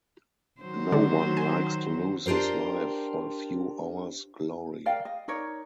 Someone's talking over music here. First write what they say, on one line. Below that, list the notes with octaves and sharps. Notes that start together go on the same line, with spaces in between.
No one likes to lose his life for a few hours' glory.
D#3 F#3 C5
D3
G#5
D4 F4 G4 A#4 C5
A#4 D5 F5 G5
D#5
D#4 A#4 C#5 D5